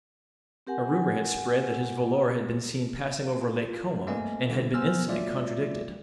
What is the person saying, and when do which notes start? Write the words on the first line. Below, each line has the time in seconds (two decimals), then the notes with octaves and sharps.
A rumour had spread that his volor had been seen passing over Lake Como, and had been instantly contradicted.
0.67 C4 G4 A#4 F#5 G#5
3.41 F4
4.07 A3 A#3 C4 D#5 G#5
4.50 A#2 D3 G3 B3
4.74 B3 C5 G#5 E6 F6
5.08 F#3 G#3 A#3 F4 D5 E5